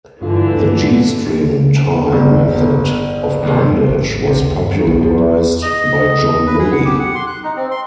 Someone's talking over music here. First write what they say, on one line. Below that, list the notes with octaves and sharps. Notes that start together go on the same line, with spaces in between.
The g-string tie method of bondage was popularised by John Willie.
G2 D3 E3 F4
G1
D#2 C3
A1
C3
D#2
G2
D#3
B1
F3
E2
D#5
B4
G#4
F#5
G4
F#5
C6
F#6
D#4
C4
C6